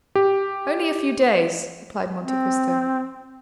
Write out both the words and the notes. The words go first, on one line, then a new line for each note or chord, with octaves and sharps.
"Only a few days," replied Monte Cristo.
G4
C4